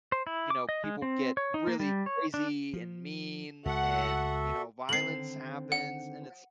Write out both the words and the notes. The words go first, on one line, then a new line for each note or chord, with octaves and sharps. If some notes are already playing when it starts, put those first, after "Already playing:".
you know, people get really crazy and mean and, you know, violence happens, and it's
C5
E4
D6
D#5
G#3
C4
C#5
D#4
A#3
G3
C#5
D4
F3
C#2 F#4 A4 E5 F#5
D3 D#3 C4 C7 F#7
F#5